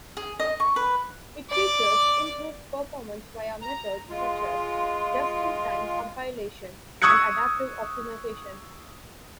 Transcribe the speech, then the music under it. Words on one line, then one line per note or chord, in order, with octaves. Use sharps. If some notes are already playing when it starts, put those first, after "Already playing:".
It features improved performance via methods such as just-in-time compilation and adaptive optimization.
G#4
D#5
C#6
B4
D5 D6
A#5
G#3 F4
C#6 D#6 E6 F#6 G#6 C#7